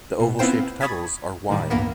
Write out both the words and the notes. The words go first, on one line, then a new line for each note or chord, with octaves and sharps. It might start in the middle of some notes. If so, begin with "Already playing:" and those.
The oval-shaped petals are wide.
B2
B3 C4 E4 F4 C5 G5
B5 C#6 D#6 G#6 A6 B6
A2 D#3 G3
C#2 G2 E3 A#3 B3